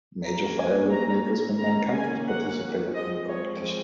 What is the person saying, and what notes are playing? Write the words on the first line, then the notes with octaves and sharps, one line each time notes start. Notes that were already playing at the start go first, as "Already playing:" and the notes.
Major firework makers from nine countries participated in the competition.
F#3 A#3 C#4 A#5
G#5
A#5
D#3 A#3 C#4 A#5
G#5
F#5
F3 G#3 C4 D#5
C#5